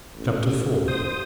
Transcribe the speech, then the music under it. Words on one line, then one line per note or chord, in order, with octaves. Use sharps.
Chapter IV.
A1
C5 D#6